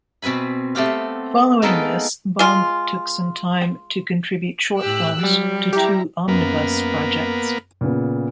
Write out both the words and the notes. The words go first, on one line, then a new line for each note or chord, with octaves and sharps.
Following this, Bong took some time to contribute short films to two omnibus projects.
B2 C4 B4 G#5 B5
A3 B3 C4 G4 F5
G#3 A#3 B3 D#4 A4 A#4
G#3 F4
A2 G4 E6 F#6
F#3 G3
E4 G4 A#5
F#2 A#3 B3
A#2 C#3 B3